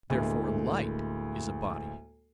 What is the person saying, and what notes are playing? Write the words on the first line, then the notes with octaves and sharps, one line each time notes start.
Therefore light is a body.
D2 A2 G#3 A#3